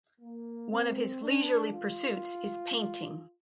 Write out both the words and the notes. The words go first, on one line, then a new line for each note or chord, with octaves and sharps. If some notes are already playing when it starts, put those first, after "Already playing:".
One of his leisurely pursuits is painting.
A#3
C4
D4
F4